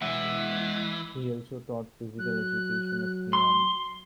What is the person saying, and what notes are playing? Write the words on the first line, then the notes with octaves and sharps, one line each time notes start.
He also taught physical education at Miami.
E3 G#3 E5 F#5
F#3 F#6
C6 G7